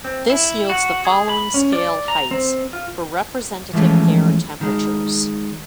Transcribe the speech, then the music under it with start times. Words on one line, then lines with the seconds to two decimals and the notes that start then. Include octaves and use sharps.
This yields the following scale heights for representative air temperatures.
0.04 C4
0.30 E4
0.70 F#4
1.05 G#4
1.29 B5
1.54 C#4
1.73 D5
2.08 A#5
2.31 C4
2.73 F4
3.73 E3 F3 G#3 A3 C#4
4.61 D#3 G#3